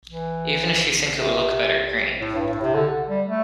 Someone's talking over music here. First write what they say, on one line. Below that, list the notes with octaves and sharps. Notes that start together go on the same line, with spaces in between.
Even if you think it would look better green.
E3
C3
A2
G2
A2
C3
D3
G3
A3